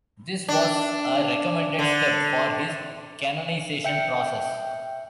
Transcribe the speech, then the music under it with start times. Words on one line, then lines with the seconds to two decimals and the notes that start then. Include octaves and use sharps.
This was a recommended step for his canonization process.
0.48 D4
1.79 D3
3.85 E5 G5 C#7